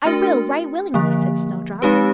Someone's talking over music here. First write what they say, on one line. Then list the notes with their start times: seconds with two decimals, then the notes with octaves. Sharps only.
"I will, right willingly," said Snowdrop.
0.05 A3 D4 F#4 A#4
0.94 D3 F3 A#3
1.82 G#3 C4 D#4 G4 B4